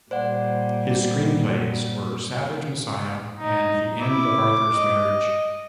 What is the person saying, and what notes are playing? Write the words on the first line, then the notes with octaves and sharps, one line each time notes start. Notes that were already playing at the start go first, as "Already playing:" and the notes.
His screenplays were "Savage Messiah" and "The End of Arthur's Marriage".
A#2 G3 C5 D5 F#5
D#4
E4 D6
D#5